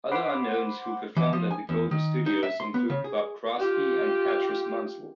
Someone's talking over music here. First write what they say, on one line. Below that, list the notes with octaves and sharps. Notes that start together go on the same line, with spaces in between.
Other unknowns who performed at the Golden Studios include Bob Crosby and Patrice Munsel.
C5 F#5 B5 C6 D6
E3
F3
G#5
E2
D#3
D#4
E5
C6
B3
C#3
G#4
F4 G4